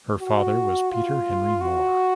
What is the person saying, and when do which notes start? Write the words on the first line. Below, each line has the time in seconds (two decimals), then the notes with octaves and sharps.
Her father was Peter Henry Moore.
0.21 F#4
0.92 F4
1.61 F#4